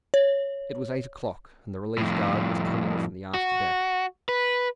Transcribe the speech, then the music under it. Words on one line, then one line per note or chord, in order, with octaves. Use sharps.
It was eight o'clock and the relief guard was coming from the after deck.
C#5
F2 A2
F#4
B4